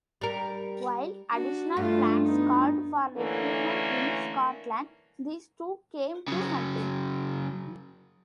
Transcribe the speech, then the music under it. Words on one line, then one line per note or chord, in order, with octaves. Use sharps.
While additional plans called for recruitment in Scotland, these too came to nothing.
G3 A#4
D4 F#4
G2 A3 F4
B3 D#4
D3 E3 A3 A#3 C#4
C#3 F#3